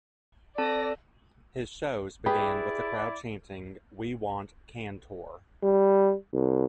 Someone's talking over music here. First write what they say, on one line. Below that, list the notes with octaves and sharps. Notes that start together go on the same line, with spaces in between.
His shows began with a crowd chanting We want Can-tor!
C4 A4 D5 A5 A#6
E4 G4 G#4 B4 D5
G3
C2